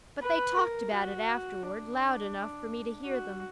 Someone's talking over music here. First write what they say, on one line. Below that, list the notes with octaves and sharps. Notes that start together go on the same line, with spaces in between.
But they talked about it afterward, loud enough for me to hear them.
B4
A#4
F#4
D4
F#4